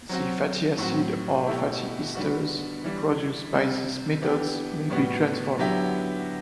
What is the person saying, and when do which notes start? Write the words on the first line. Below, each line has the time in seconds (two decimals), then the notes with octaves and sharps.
The fatty acid or fatty esters produced by these methods may be transformed.
0.09 F#3 C4 F#4
0.78 A2 F#3 C4 F#4
1.47 B2 A3 E4 G4
2.15 D3 G3 B3 F#4
2.84 E3 G3 D4
3.53 C3 G3 C4
4.22 E3 B3 D4 G4
4.90 A2 G3 B3 F#4
5.59 D3 F#3 B3 E4 G4